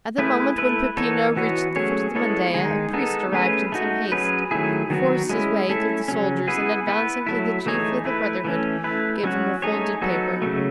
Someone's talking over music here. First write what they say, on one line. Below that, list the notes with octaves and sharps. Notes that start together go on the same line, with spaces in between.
At the moment when Peppino reached the foot of the mandaia, a priest arrived in some haste, forced his way through the soldiers, and, advancing to the chief of the brotherhood, gave him a folded paper.
A3 E4 G#4 B4
A3 E4 B4
E3 B3 D#4 A4 C#5
E3 B3 F#4 C#5
F#3 A3 C#4 G#4 C#5
G#3 B3 E4 A4 C#5
D#3 G#3 D#4 G#4
G#3 B3 D#4 A4
A3 C#4 G#4 B4
A3 D#4 F#4
F#3 C#4 G#4 B4
D#3 F#3 A3 E4 G#4
D#3 F#3 B3 F#4
G#3 C#4 E4
A3 C#4 E4 A4
C#3 F#3 C#4
B3 E4 G#4 B4
B3 E4 B4
F#3 A3 E4
E3 A3 D#4 G#4 C#5
A3 E4 B4
E3 A3 C#4
A3 E4 B4
F#3 C#4 F#4
A3 D#4 G#4 C#5
F#3 B3 D#4 F#4 A4
C#3 F#3 A3